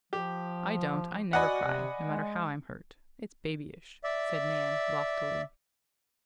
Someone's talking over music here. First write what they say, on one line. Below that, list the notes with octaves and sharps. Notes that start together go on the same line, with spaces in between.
"I don't, I never cry, no matter how I'm hurt; it's babyish," said Nan, loftily.
F3 G4
F#4 D5 D#5 F#5 G#5 B5
C3
G#3
D5 E5